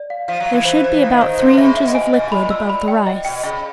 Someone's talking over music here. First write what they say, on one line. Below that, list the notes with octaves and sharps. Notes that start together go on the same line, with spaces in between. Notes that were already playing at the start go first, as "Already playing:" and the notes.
There should be about three inches of liquid above the rice.
Already playing: D5
F5
F3 F5
F#3
F5
E3
E3 C5
E3 C5
D#3 F5
D#3 C5
D3 C5
C#3 E5
B2 E5
G#5
B2 D#5
A#2 B5
A#2 E6
B5
G5
D#5
B2 G5
C#3 D#5